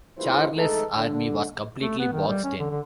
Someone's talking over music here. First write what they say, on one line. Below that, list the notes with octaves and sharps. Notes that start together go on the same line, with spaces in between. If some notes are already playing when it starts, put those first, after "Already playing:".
Charles' army was completely boxed in.
A1 D#2 E3 G#3 F4 C5
G#3 A3 D#4 A4
D3
A3
B3
D#3
G3
C#4
D3
D3